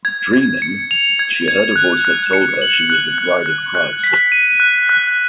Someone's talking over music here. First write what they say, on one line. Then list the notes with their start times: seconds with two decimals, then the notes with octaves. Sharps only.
Dreaming, she heard a voice that told her she was the Bride of Christ.
0.05 G#6
0.33 G#6
0.62 C#7
0.91 F7
1.19 G#6
1.48 G#6
1.76 F#6
2.05 F#6
2.33 C#7
2.62 F#7
2.90 F#6
3.18 F#6
3.46 F#6
3.75 F#6
4.04 B6
4.32 D#7
4.60 F#6
4.89 F#6